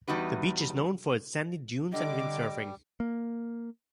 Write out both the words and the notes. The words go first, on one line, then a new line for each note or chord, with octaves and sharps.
The beach is known for its sandy dunes and windsurfing.
E2 G3 D#4 F#4 B4
D3 G3 D#5 D6
A#3